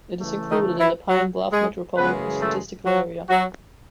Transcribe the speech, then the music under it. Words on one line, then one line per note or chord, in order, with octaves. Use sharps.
It is included in the Pine Bluff Metropolitan Statistical Area.
C#3 E3 A3
D#3 D#4
E3 E4
F#3 F#4
G#3 G#4
F#2 C#3 E3 G#3 B3 B4
A3 A4
F#3 F#4
F#3 F#4